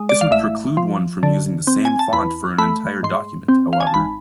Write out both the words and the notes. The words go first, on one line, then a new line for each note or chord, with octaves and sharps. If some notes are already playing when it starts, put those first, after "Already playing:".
This would preclude one from using the same font for an entire document, however.
Already playing: G#3
D5
F5
A1 E5
F3
D3
C4
G#5
A5
E2 B5
A3 B5
G#2 C6
C4
F5
G#5
A5
G#1 B5